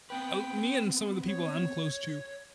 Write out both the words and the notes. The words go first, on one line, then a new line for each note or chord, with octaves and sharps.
uh me and some of the people I'm close to
B3 C4 B4 G5
C#5